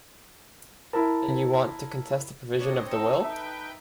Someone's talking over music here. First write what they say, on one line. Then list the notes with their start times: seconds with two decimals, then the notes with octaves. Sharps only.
And you want to contest a provision of the will?
0.93 E4 A#4 A5
2.57 C4 D4 C#5 D#5
2.91 D#4 A4
3.24 B4 E5 G5